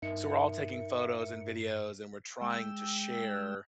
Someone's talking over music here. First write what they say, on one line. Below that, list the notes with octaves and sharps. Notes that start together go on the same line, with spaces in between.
so we're all taking photos and videos, and we're trying to share,
G2 D#4 A#4 E5 C#7
G#3 G5 E6